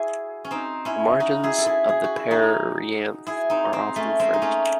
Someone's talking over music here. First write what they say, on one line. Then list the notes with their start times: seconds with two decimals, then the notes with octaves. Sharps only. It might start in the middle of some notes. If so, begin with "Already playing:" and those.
The margins of the perianth are often fringed.
Already playing: E4 F#4 G#4
0.45 C#4
0.51 C4 D#4
0.85 C#4 E4
1.20 D#4 F#4
1.43 E4 G#4
1.58 A4
1.66 E4 G#4
1.89 G#4
2.04 F#4
2.17 E4
2.31 D#4 F#4
3.27 E4 G#4
3.50 C4 D#4
3.73 C4 D#4
3.96 A3 C#4
4.20 G#3 C4
4.34 D#4
4.42 A3 C#4